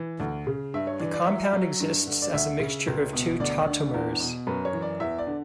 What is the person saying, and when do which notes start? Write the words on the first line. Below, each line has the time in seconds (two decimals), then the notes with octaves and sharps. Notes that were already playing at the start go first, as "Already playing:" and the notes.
The compound exists as a mixture of two tautomers.
Already playing: E3
0.20 D2
0.47 C#3
0.74 G2 E5
0.87 C#5
1.00 E3 D5
1.14 D5
1.26 F#3 E5
1.53 F#3
1.80 G2
2.07 D3
2.22 D5
2.34 D2 E5
2.60 C#3
2.88 C#2
3.13 B2
3.40 D2 D5
3.67 D3
3.94 E2
4.20 B2
4.47 F#2 B4
4.65 C#5
4.73 E3
4.82 D5
5.00 E2 E5
5.18 D5
5.27 D3